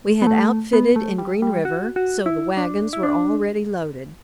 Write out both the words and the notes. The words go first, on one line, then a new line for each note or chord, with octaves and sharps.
We had outfitted in Green River, so the wagons were already loaded.
B3
A3
B3
A3
G3
G3
F#4
F#4
E4
D4
E4
D4